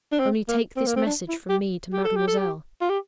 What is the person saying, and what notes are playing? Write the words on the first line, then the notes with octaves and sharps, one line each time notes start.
Only take this message from me to mademoiselle.
D4
C4
A#3
C4
A#3
C4
D4
E4
G4
G4
A4
G4
A4
G4
F4
G4